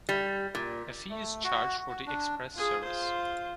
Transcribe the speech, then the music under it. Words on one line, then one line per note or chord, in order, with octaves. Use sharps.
A fee is charged for the express service.
G3
A#2
A3
F#4
F#4
D4
F4 G#4
F4 C5